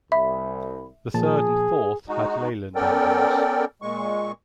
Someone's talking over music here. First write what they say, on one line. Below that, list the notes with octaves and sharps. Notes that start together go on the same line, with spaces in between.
The third and fourth had Leyland engines.
C2 E5 B5
A#2 F3 G#4 A5
G#3 D#4 F#4
B3 C#4 A4 A#4 D5 G5
A#2 G#3 C#6